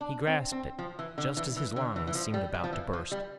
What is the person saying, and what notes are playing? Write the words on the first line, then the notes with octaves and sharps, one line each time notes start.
He grasped it, just as his lungs seemed about to burst.
D4
C4
C4
F3
E3
D3
E3
E3
D3
E3
E3
F3
G3
G3
F3
E3
F3
G3